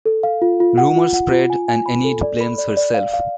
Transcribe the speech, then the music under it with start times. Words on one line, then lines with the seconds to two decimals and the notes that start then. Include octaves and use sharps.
Rumors spread, and Enide blames herself.
0.06 A4
0.23 F5
0.42 F4
0.60 F4
0.78 F#5
0.96 F4
1.14 F#5
1.32 F4
1.50 G#5
1.68 G#5
1.86 B5
2.04 A4
2.22 D5
2.41 B5
2.58 D5
2.77 D5
2.94 F5
3.13 F5